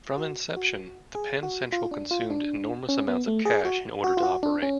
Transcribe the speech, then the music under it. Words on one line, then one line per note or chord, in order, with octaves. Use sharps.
From inception, the Penn Central consumed enormous amounts of cash in order to operate.
F#4
F#4
G#4
F#4
F4
D4
F4
D4
C#4
B3
A3
G#4
F#4
F#4
F4
F#4
D4
C#4